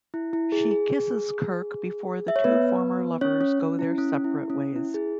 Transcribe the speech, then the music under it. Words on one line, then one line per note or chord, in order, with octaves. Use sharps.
She kisses Kirk before the two former lovers go their separate ways.
E4
E4
G#4
G#4
E5
C#5
B3 B4
C#4 C#5
C#4
C#4
E4
C#4
E4
C#4
E4
G#4